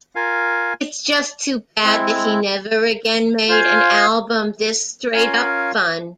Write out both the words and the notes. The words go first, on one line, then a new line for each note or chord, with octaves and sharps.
It's just too bad that he never again made an album this straight-up fun.
F4 A#4 F5 G#5
G#3 C4 E4
F4 C5 F5 G#5
C#4 F4 A#4 F5 G#5